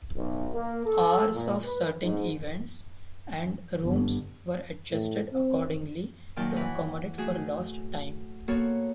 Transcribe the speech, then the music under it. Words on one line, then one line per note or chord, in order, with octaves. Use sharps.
Hours of certain events and rooms were adjusted accordingly to accommodate for lost time.
B1
A#3
A4
A#2
B4
G#2
G1
A2
C4
A#2 D#3 F#3 G5 A5
E3 B4 F#5 B5
A3 F#4 G#4
A#3 B3 F#4 A4 C#5